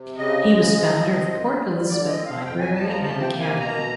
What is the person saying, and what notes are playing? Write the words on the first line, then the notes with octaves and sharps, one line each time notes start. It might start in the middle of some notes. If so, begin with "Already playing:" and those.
He was founder of Port Elizabeth Library and Academy.
Already playing: C3
C#3 D#5
G#3
F3
C4
F#2
G3
D3 D5
D#5
C4
F5
F2 G5
G#5
F3 A5
A#5
C3 A5
G5
A#3
G#5
B2 A#5